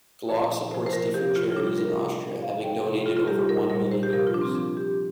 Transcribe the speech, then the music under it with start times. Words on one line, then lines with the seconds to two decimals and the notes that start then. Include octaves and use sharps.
Glock supports different charities in Austria, having donated over one million euros.
0.29 A#2 F3
0.71 C3 F3 C5
0.86 C5
0.93 A#4
1.14 C3 F3 G4
1.36 F4
1.52 F4
1.56 C3 G3 D4
1.67 F4
1.78 A#4
1.89 A#4
1.99 C3 G3
2.42 C3 F3 F5
2.64 G5
2.85 C3 F3
3.06 F4
3.17 F4
3.27 A#2 G3 G4
3.49 A#4
3.70 A#2 G3 A#4
3.91 C5
4.03 G4
4.12 C3 F3 A#4
4.27 F4
4.34 D4
4.41 C4
4.55 C3 F3 D4
4.77 G4